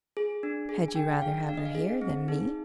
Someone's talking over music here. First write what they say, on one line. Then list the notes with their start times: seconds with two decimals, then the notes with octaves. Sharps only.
"Had you rather have her here than me?"
0.17 G#4
0.43 D4
0.69 G#4
0.88 G#5
0.95 D4 G5
1.22 G#4 F5
1.48 D4 F5
1.57 D#5
1.65 F5
1.75 G#4
2.01 C4
2.28 D#4 G#4